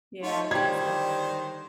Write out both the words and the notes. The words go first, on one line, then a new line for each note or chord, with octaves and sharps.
Yeah, so
A3 D#4 F4 C#5 D#5
D3 D#3 G3 G4 C5 C#5 G5 G#6